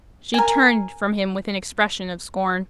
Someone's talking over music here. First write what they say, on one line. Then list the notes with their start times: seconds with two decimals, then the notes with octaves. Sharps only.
She turned from him with an expression of scorn.
0.34 A#4 G#5